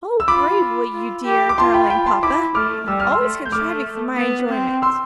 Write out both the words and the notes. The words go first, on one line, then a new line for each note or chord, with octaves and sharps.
"Oh, bravely, you dear darling papa! always contriving for my enjoyment."
E6
F4 B5 D6
F4
G4
D6
F4 A5 C6
G5 B5
G5 B5
A5 C6
E4 B5 D6
A3 D6 F6
G3 E6
F6
C6 E6
A3
G6
A3 D6 F6
B3
C4
C6 E6